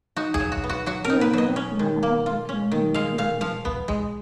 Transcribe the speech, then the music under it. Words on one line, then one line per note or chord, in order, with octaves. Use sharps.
Two others were also killed in the shooting.
D#4 F#4
G#4
F#3
F#4
B3
F#4
F#3 F#4
A#4
D#4
B4
F#3 D#5
C#4
D#3
A#3
F4
C#4
D#3
G#3 F5
A#2 F5
F3 F5
B3
G#3